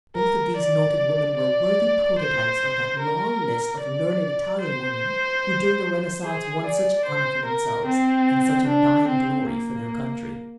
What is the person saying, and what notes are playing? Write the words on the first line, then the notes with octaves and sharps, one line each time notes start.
Both of these noted women were worthy prototypes of that long list of learned Italian women who, during the Renaissance, won such honor for themselves and such undying glory for their country.
A#4
D5
D5
C5
A#4
D5
C5
G#4
D5
C5
A#4
C4
D4
C4
A#3